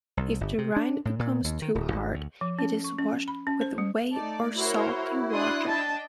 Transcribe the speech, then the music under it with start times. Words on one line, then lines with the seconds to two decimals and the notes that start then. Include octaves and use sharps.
If the rind becomes too hard, it is washed with whey or salty water.
0.17 C2
0.41 G1
0.58 C3
0.76 D4
1.05 A2
1.19 A#2
1.44 D#2
1.62 D#3
1.75 D1
1.92 G#1
2.14 D2
2.41 F3
2.59 C#4
2.84 C#6
2.99 C#4
3.28 B5
3.47 C#4
3.61 C5
3.78 G3
4.12 A3 D#4 D5 A5
4.56 E4 F#4 A#4 C5 C#5
5.33 D4 C6 D#6 F#6
5.68 D4 D#5 G5 A5